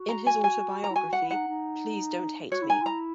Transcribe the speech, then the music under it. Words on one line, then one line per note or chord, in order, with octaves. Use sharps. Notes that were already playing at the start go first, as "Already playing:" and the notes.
In his autobiography, Please Don't Hate Me!
Already playing: F#4
A#5
G#5
G#5
A#5
E4
F#4 G#5
F#4 F#5
E4
D#4 F#5
D#4
F#4 C#5
E4
D#4 G#5
E4 A#5